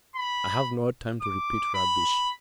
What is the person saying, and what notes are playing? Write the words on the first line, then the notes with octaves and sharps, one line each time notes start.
I have no time to repeat rubbish.
B5
D6
B5